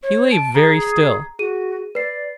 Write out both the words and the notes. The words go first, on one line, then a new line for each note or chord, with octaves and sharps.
He lay very still.
C#5
A5 D7
G#4 A#5
F#4 G#4 D#7
B4 D5 C7